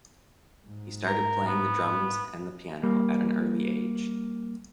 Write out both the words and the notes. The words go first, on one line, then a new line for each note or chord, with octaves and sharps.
He started playing the drums and the piano at an early age.
G#2
A#4
B3
G3 A#3